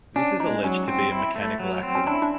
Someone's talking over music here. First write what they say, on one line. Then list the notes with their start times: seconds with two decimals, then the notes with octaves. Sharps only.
This is alleged to be a mechanical accident.
0.16 C#4 D4
0.40 G#3 D#4
0.63 F#3 C#4
0.88 C4
1.12 E4
1.36 A3
1.59 F#3
1.83 C4
1.95 C#4
2.06 D4 E4
2.22 D4